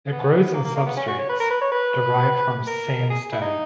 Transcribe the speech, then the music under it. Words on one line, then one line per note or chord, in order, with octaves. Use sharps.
It grows in substrates derived from sandstone.
B3
A#3
A#3
A#3
B3
C#4
F#4
C#5
B4
A#4
B4
C#5
B4
A#4
G#4
E4
D#4